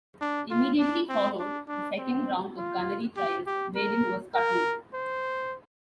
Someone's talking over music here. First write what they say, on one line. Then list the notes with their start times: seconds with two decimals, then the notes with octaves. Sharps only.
Immediately following the second round of gunnery trials, "Baden" was scuttled.
0.21 D4
0.51 F4
0.79 D4
1.09 C4
1.39 D4
1.68 D4
1.98 C4
2.58 F4
3.17 G4
3.47 G4
3.76 A#4
4.35 A#4
4.94 C5